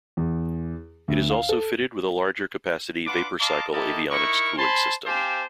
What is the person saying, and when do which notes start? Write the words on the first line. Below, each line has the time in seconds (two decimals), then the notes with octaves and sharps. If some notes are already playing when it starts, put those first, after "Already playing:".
It is also fitted with a larger capacity vapor cycle avionics cooling system.
0.17 E2
1.08 D2
1.30 F5
1.49 A4
3.07 D4 F4 B4 F#5 C6 D6
3.40 D#5 F5 A5 A#5 C6 D6
3.73 E4 G4 A4 A#4 D#5
4.11 D#4 E4 A#4 C#6
4.58 C5 G#5 A5 B5 C6
5.06 C4 G4 C5 F5 G#5 A5